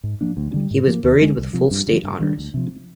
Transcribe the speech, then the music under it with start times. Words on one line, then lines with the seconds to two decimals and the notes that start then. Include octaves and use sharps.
He was buried with full state honours.
0.04 G#2
0.21 F3 A#3 D4
0.37 D2
0.54 D3 G3
0.71 G#2
0.87 F3 A#3
1.04 D#2
1.21 D3 G#3 D4
1.37 C2
1.53 C3 F3
1.70 G2
1.87 D3 F3
2.04 G2
2.20 D#3 G3 D4
2.38 D2
2.54 C3 F3